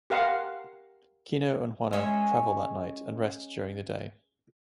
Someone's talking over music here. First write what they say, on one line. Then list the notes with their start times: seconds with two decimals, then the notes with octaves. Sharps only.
Kino and Juana travel that night, and rest during the day.
0.10 G4 A#4 F5 F#5 C6
1.93 G#3 C#4 E5